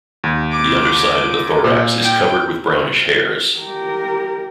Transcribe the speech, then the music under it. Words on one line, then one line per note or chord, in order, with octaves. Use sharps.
The underside of the thorax is covered with brownish hairs.
D#2
D6
A#2
G5
G4 A#4